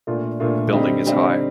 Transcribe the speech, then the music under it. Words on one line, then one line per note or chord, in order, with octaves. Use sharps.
The building is high.
A#2 A3 D4 F4
A#2 A3 D4 F4
D3 G3 C4 D#4
D3 G3 C4 D#4